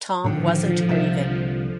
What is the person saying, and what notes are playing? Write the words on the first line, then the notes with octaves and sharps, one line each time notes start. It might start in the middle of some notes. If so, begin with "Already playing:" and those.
Tom wasn't grieving.
A2 D3 D#3 F3
C2 D3 E5